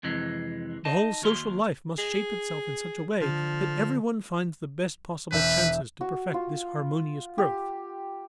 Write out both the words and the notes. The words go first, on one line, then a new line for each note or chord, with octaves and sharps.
The whole social life must shape itself in such a way that everyone finds the best possible chances to perfect this harmonious growth.
F2 C3 E3 G#3
D#4 D#5 A5
D#2 F#4 A#4 C6
G#4
D3 F3
E1 B4 E5 G6
F#4
F4
G4